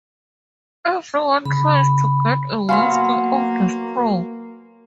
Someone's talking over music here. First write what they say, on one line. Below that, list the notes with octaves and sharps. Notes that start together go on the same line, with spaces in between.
Everyone tries to get a wisp of the straw.
C#3 B5
F#3 A#3 B3 F#4 F5 G#5 B5 C6